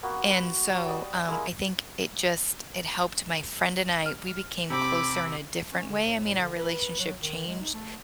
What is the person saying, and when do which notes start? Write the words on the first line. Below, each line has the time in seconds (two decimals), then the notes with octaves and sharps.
and so, um, I think it just it helped my friend and I, we became closer in a different way, I mean, our relationship changed.
0.03 A#3 B3 F#4
0.30 B4
0.70 F#3
0.86 G4 D5 D#5
1.28 G#3 A#3 E4
4.06 F6
4.70 C3 C4 B5 D6
5.72 C#4
5.89 D3
6.05 A2
6.24 A2
6.41 D3
6.56 B4
6.99 F#3
7.22 D#3
7.47 G#3
7.61 D#4
7.74 A3